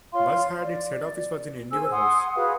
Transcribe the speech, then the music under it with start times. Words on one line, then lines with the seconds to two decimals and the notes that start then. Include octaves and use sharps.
Buzz had its head office was in Endeavour House.
0.13 F4 C#5 F5 C6
0.61 D5
1.71 G#4 C5 G#5 E6
1.91 F#5 G#5 C6 D#6
2.35 F#4 G#4 B4 F5